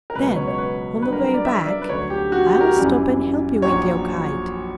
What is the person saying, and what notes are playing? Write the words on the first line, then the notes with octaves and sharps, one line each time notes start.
Then, on the way back, I'll stop and help you with your kite.
A#4
C#2 B2 F#3 B4
B4
C#5
C#5
B4
G1 G2 F#3 B4
A#4
A#4
D5
E5
D5
B4
D2 D3 F#3 C#5
G4
F#4
G4
A#4
G1 F#2 E3 G3
A#1 A#2 F#3 C#5